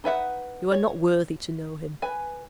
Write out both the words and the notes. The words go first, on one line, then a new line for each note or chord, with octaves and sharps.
You are not worthy to know him.
D#4 B4 E5 F#5
C#5
B4 G#5